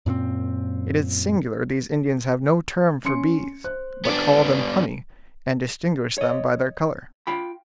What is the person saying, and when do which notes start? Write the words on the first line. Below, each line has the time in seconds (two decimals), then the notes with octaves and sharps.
It is singular these Indians have no term for bees, but call them honey, and distinguish them by their color.
0.06 F#2 A#2 A#3 C4
3.05 C#4 C6 C#7
3.64 C5 F#6
4.05 B3 D4
6.18 C#5 D#5
7.27 F4 G5 B5